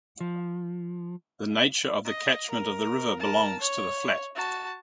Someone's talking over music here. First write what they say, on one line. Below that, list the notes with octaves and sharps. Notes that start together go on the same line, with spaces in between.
The nature of the catchment of the river belongs to the flat.
F3
D#5
A#4
A#4 A5
C#5
F#4 A5